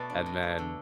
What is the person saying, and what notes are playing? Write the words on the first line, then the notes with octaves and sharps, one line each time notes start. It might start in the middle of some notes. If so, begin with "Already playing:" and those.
and then
Already playing: B2 A3 B4 D5
D4
B2
A3
D3